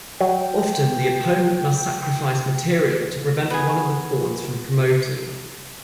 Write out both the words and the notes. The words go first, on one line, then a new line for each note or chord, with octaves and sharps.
Often the opponent must sacrifice material to prevent one of the pawns from promoting.
F#3 G5
B3 G#4